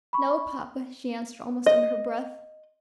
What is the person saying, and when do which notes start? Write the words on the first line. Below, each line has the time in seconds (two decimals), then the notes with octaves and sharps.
"No, papa," she answered almost under her breath.
0.13 B5 C#6
1.66 D#5